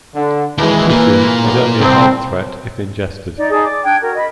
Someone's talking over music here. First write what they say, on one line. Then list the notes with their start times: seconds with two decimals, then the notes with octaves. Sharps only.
Tritium is only a health threat if ingested.
0.15 D3
0.58 D#2 E3 G#3
0.90 A#2 A#3
1.42 B1 E2 A2
1.81 C2 C4
3.36 D#4 D5
3.50 D#4 G#4 D5 A5
3.64 D5 D6
3.84 D4 G5 F#6 G#6
4.01 F#4 A#4
4.14 D#5 B5